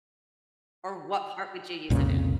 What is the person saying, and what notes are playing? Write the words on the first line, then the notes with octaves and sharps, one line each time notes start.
Or what part would you use it in?
C2 F2 A#2 C#3